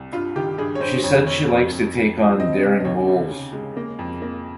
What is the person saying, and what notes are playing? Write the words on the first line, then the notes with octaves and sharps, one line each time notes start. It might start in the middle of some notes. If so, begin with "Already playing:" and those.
She said she likes to take on daring roles.
Already playing: C2
G2 F4
D#3 G4
G2 G#4
C#5
G2 C5
F2 C#5
F1 C#5
F2
F2
F2
F3
C4 D#5
C3 D#5
D#5
D#2 C#5
C#3
C#3
G#3
A#3
F2
A#3